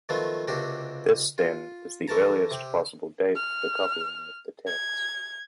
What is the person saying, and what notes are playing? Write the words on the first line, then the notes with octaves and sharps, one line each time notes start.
This, then, is the earliest possible date for the copying of the text.
D#3 F3 F#3 A3 B3 F4
C#2 C3 A#3 D4 F#4 G4
F4
E3 A3 A#4 A5 A#5
C3 G4
F6
G#6